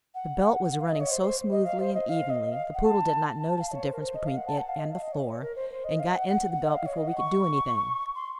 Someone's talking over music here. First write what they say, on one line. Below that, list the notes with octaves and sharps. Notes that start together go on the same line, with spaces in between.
The belt was running so smoothly and evenly, the poodle did not notice the difference between it and the floor, and got into the belt before we could do anything.
F#5
F5
D#5
C#5
C5
C5
D#5
F5
C5
D#5
F5
D#5
F5
F#5
A5
A5
F5
C#5
C5
A#4
C5
D#5
F5
F#5
A5
F#5
F5
D#5
F5
D#5
C#5
C#5
A#4
C5
C5
D#5
F5
F#5
F#5
F#5
F#5
D#5
F5
C#5
D#5
F#5
C#6
C6